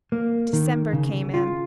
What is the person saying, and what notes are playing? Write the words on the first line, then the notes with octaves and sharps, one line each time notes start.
December came in.
A#3
D#3
C#3
F4